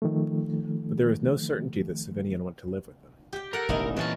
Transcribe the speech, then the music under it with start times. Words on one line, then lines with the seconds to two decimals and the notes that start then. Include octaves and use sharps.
But there is no certainty that Savinien went to live with them.
0.02 D#3 F3 A3
3.33 G4 G5
3.53 A4 A#4 F#5
3.69 E1 A1 D#3 D#4 E4 A#5
3.97 C2 A#2 E3 C#4 A#4 A5